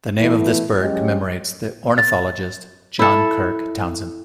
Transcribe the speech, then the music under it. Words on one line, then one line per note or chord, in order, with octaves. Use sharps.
The name of this bird commemorates the ornithologist John Kirk Townsend.
E3 A3 B3 E4
F#3 G#3 C#4 G4 D#5
A6
E4 A4